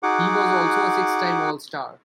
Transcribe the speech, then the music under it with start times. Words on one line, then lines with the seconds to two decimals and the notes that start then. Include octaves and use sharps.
He was also a six-time All-Star.
0.03 D#4 F#4 G#4 F#5 D6